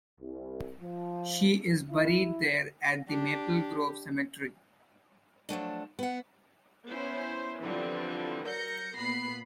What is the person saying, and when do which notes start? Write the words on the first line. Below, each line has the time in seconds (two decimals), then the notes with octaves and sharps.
She is buried there at the Maple Grove Cemetery.
0.21 C2
0.81 F3
1.91 E4
3.08 D4 G4
5.49 F3 F#3 A3 D4
5.99 B3 F#5
6.88 B3 C#4 E4 C5
7.61 D3 E3 F3 G3 C4
8.47 F#3 A#4 G6 A#6 C#7
8.98 A#2 B3 B5 C7